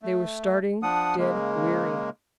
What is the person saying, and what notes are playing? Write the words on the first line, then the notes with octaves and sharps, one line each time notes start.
They were starting dead weary.
A3
F3 D4 F#5 D#6
C#3 G#3 A#3